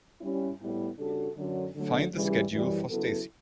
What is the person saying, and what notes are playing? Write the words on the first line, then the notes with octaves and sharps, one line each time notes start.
Find the schedule for Stacey.
G3 C#4 E4
A2 G3 B3 E4
C#3 G3 D4 F#4 A4
F#2 D3 F#3
D3 F#3 A3
D2 C#3 E3 G3
F#2 E3 G3
C#3 F#3 B3 E4 A4